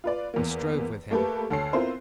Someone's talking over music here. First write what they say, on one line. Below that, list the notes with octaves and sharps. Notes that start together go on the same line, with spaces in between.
I strove with him.
F4 B4 D5
E2 A#3
A3 A#3 G4 A4 B4
D2 A4 C#5 C7
B3 C4 E4 F4 A#4 C5